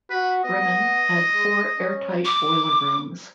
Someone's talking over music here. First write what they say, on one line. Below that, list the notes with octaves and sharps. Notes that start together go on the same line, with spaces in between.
"Bremen" had four airtight boiler rooms.
F#4 B4
B3 D#5
G#3
C#4
D6